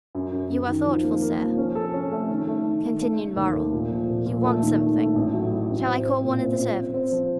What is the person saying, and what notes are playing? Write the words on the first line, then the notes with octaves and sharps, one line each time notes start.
"You are thoughtful, sir," continued Morrel; "you want something; shall I call one of the servants?"
F#2
F#2
F#2
D#3
F3
A#3
A#3
F3
C#4
A4
C#4
A3
D#3
A3
D#3
D#3
A3
A3
D#2
A3
A#2
F3
A#2
A#2
A3
D#3
A3
A3
A1
F#3
A2
A1
C4
C4
A#2
C4
F4
C4
C4
F3